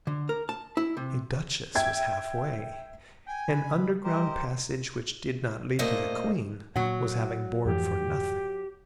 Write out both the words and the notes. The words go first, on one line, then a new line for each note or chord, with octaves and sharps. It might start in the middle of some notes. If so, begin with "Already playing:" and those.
A duchess was half-way; an underground passage which did not lead to the queen was having bored for nothing.
D3
A#4
A5
E4
C3
E5 G5 G#6
G5 G#5
C#3 B5
G3
G4 A#4 C5 D#5
A#2 A3 A#3 C5 D#5
A#2 F#3 A#3 F#5
F2 G#2 E3 G4